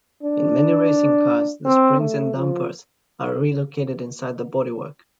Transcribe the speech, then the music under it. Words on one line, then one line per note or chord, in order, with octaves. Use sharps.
In many racing cars, the springs and dampers are relocated inside the bodywork.
D4
C4
A3
F3